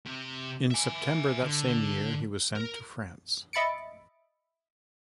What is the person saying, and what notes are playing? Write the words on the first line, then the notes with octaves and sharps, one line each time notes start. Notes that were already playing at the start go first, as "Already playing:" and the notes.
In September that same year he was sent to France.
C3
E5 G#5
D3
A#4
D#5 E5 B5 A6 C#7 D7